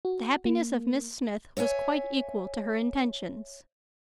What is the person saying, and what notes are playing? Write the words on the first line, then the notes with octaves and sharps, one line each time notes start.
The happiness of Miss Smith was quite equal to her intentions.
F#4
A#3
C#5 E5 F#5 G#5